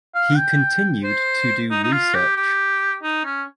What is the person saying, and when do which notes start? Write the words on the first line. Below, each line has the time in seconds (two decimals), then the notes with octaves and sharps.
He continued to do research.
0.15 F5
0.37 G5
1.04 C5
1.70 D#4
1.83 D#4
1.92 F4
2.15 G4
2.36 G4
3.03 D#4
3.25 C#4